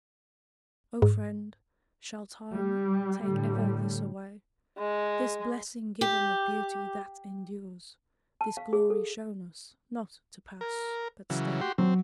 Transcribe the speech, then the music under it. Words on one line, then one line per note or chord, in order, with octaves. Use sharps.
O friend, shall time take ever this away, This blessing given of beauty that endures, This glory shown us, not to pass but stay?
G#2
G3
A2 D3 G3
G#3
G4
A5
F5
G#4
A4
A#4
C#3 E3 F#3
F#4 G4 C6
F#3 C4